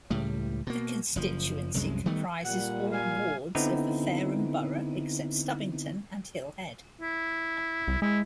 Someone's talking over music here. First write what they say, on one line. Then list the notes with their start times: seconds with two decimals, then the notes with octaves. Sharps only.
The constituency comprises all wards of the Fareham borough except Stubbington and Hill Head.
0.10 C#2 A2 G3
0.67 B2 A#3
1.16 F#1 F3
1.74 F1 C2 F#2 G#3
2.06 D#3 G3 A3 B3
2.44 A#2 G3 F#5
2.92 F5 G#5
3.55 D3 B3 C4 D#4 E4
7.01 E4
7.88 C2
8.02 G#3 E4